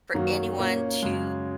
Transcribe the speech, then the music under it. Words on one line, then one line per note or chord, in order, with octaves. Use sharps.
for anyone to
F#2 D#3 F#3 A#3
A#2 A#3 C#4
F#2 C#3 G#3